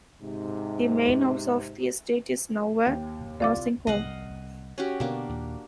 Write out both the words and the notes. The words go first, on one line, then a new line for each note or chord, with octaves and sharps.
The main house of the estate is now a nursing home.
G#2 C3
D#2 G5
C2 F4 D5 F5 D6 A6
C2 D#5 F5 F#5
C#4 F#4 G4
B2 D3 A#3 B3 D4
D#2 A#2